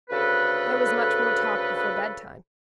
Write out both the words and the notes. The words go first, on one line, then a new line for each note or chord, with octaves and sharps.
There was much more talk before bedtime.
D2 C#3 A4 B4